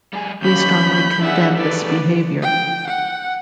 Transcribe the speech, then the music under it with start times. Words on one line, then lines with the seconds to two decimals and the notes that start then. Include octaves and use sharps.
We strongly condemn this behaviour.
0.13 G3 G#4
0.42 D#2 C#4 B5 G6
1.23 D4 G#4 E5 F#5
1.56 G3 A3 B4 D5
2.42 G5
2.87 F#5